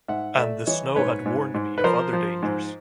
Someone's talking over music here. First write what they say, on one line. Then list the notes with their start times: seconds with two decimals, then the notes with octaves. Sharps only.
And the snow had warned me of other dangers.
0.08 G#2 E5 F#5
0.37 A3 D5 E5
0.67 E3 C#5 D#5
0.96 G#2 B4 C#5
1.26 G#2
1.54 G#2
1.78 B4
1.84 F3 A#4 C5
2.13 F3
2.43 G#2